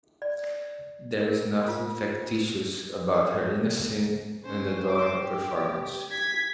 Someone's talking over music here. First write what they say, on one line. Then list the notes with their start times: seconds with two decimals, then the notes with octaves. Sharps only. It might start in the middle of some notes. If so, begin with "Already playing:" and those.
There is nothing factitious about her innocent, unadorned performance.
0.22 D5
1.21 A#4
1.68 F4
4.44 C#4 C5
4.91 C5 D6
5.21 G4
6.11 G#6 B6